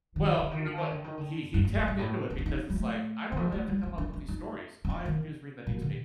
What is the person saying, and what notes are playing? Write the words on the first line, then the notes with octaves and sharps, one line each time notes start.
Well, you know what? He he tapped into it because it's like, I don't really have to come up with these stories, all I have to do is read the newspaper.
D#3
D3
D#3
D3
D#3
D3
D#3
D3
G2
A2
A2
G2
A2
D#4
D4
D#4
G3
A3
D#3
F3
A3
G3
C4
D4
D4
D#4
C4
D4
D#3
A#2
D3